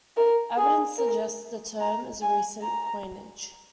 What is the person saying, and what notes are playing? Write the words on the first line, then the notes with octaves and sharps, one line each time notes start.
Evidence suggests the term is a recent coinage.
A#4
G#4
A#4
A#5
G#5
A#5